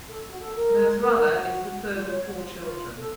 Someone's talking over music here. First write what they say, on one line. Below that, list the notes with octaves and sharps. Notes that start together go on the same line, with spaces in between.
Nasrallah is the third of four children.
A4
F#4
A4
A#4
A#4
A#4
F#4
F4
C#5
F#4
F4
F4
A4